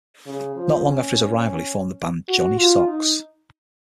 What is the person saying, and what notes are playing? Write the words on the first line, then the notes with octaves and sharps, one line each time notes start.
Not long after his arrival he formed the band Johnny Sox.
C#3
F3
C#4
F#4
F4
D#4